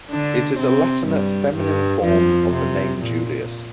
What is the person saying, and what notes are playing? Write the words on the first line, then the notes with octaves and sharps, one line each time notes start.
It is a Latinate feminine form of the name Julius.
D3 D4
C3 C4
G2 G3
G2 G3
F2 F3
C3
A#2